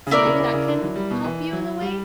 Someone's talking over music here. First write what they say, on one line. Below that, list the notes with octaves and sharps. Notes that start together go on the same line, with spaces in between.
so maybe that can help you in a way?
C#3
B2 E4 A#4 D5
C#3
C#3
C#3
D3
F#3
G3
B2
E3
F#3
G3